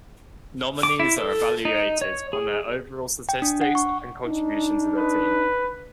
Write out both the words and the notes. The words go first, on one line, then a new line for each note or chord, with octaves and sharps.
Nominees are evaluated on their overall statistics and contribution to the team.
D6
E4
A4
D#4
C#5
G#4
G5
D4
F#5
C#6
D4 D#4
B4